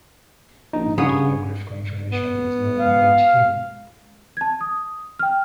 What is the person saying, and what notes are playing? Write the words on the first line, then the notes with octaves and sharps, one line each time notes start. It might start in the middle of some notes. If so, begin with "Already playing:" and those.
Little biographical information is known about him.
A#1 D#4
G2 C#3 B3 G#4 C#5
B3
F5
A5 G#6
D#6
G5 F6